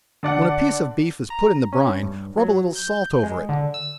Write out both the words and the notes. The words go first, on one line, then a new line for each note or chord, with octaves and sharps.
When a piece of beef is put in the brine, rub a little salt over it.
D3 D5 F#5
A#5
C#4
G2
F#3
G6
G#3
D3
E6